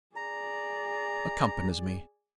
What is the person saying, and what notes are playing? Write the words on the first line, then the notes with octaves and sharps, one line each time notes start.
'Accompanies me.
G#4 D5 A#5